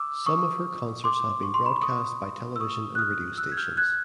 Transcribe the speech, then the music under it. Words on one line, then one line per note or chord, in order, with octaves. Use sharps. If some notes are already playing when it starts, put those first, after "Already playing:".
Some of her concerts have been broadcast by television and radio stations.
Already playing: D6 E6
C#6 D#6
C6 D6
C#6
C6
B5 C#6
C#6 D#6
E6
C#6 D#6
F#6
D#6 F6
E6 F#6
G#6
F6 G6
F#6 G#6